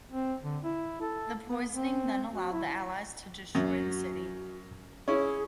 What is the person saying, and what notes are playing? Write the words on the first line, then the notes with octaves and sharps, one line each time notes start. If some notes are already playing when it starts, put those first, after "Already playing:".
The poisoning then allowed the allies to destroy the city.
C4
D3
E4
A4
B3
C4
F#4
E4
F#2 F#4
C#4 E4 G#4